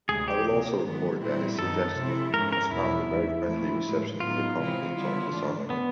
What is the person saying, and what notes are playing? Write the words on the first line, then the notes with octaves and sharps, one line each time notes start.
I will also report that his suggestion has found a very friendly reception in the Conference on Disarmament.
D2 C3 F3 G#3 G#4
G4
C3 F3 A#3
G#2 D#3 F#3 B3
A#2 G3 C4 E4
F#2 D#3 F#3 B3 D#4 A4
C3 F3 G#3 C4 E4
G#2 F3 G#3 C#4 A#4
A#4
E2 B2 G3 B3 E4
E2 C#3 E3
A#2 F3 A3
A2 F3 G#3
A2 F#3 B3 D#4 F4
C3 E3 G#3 C4 E4
D3 G3 B3 E4
G#2 E3 A3 D4
B3